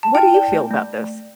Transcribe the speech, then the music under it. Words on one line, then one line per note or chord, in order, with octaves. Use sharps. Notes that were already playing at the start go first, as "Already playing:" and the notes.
What do you feel about this?
A5
E4 G5
D5
A3
A3